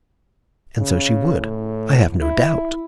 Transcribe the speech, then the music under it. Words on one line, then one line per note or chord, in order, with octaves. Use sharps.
And so she would, I have no doubt.
C#3
A2
E4